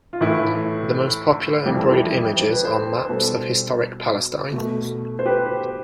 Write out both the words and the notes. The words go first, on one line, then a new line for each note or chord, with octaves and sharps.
The most popular embroidered images are maps of historic Palestine.
F4
A2 E3 A3 E4
F2 E3 G3 G4
A4
E4 G4
C5
B4
A4 C5
B4
B2 G3 A4 C5
B2 A3
C5
G4 B4